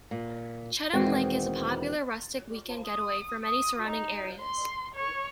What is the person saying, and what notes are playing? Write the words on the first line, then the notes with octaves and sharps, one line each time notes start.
Cheatham Lake is a popular rustic weekend getaway for many surrounding areas.
A#2
E2 B2 D#3 G#3 B3 C4
D#6
D#6
D#4
C6
C#5